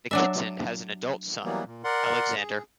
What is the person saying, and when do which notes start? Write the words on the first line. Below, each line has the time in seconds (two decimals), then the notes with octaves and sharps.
Nikitin has an adult son, Alexander.
0.11 F#3 D4 E5
1.43 E3 F#3 G3 A#3 B3
1.66 A#2
1.84 A#4 D5 F#5 C6
2.37 G#4